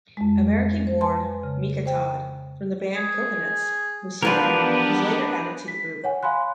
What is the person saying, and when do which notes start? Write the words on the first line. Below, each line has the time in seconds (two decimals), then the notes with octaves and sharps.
American-born Mika Todd from the band Coconuts Musume was later added to the group.
0.17 F2 G#3
0.87 C5
1.01 B4 G#5 A5 C6
1.43 C#3
1.86 C5 G5
2.96 G#4
4.22 E3 F3 B3 D4 F4 G4 A#4 B4
5.68 B6
6.04 C#5 F#5 G#5
6.23 F5 G#5 B5 C6 F#6